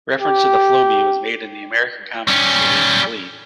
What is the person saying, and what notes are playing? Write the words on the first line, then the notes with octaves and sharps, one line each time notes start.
Reference to the Flowbee was made in the American comedy series Glee.
G4
G3 C#4